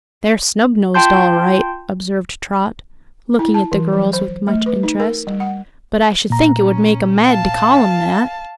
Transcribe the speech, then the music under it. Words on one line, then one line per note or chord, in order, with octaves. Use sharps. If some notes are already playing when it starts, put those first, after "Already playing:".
"They're snubnosed, all right," observed Trot, looking at the girls with much interest; "but I should think it would make 'em mad to call 'em that."
F4 G5 A5 C6 G6
E4
A5
E3
F#3
C5
A3
B4
D#4
A#4
G3
F#5
A#2 A#5
C#4
F5 A5